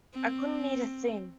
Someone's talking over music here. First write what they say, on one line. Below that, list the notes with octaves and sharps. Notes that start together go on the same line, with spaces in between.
I couldn't eat a thing.
C4